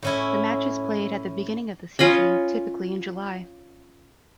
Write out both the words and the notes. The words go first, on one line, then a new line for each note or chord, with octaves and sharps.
The match is played at the beginning of the season, typically in July.
A2 C#4 E4
C#4 F4 D#5 B5